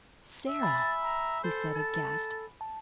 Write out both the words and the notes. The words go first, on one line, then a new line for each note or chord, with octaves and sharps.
"Sara!" he said, aghast.
E5
G#5 B5 A6
A#5
A4 C5
A5
A5